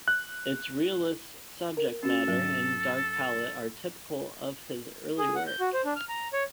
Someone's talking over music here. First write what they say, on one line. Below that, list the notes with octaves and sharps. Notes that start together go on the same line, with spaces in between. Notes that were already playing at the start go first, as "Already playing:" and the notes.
Its realist subject matter and dark palette are typical of his early work.
F#6
A#4
C#4 F#4 A4
G#2 F#3
G#4
F#5
G6
F#4
C5
D4
F6
A#5
C#5